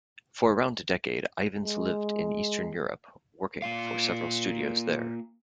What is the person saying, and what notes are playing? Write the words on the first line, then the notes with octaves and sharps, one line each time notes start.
For around a decade Ivens lived in Eastern Europe, working for several studios there.
G#3
A#3 F4 F5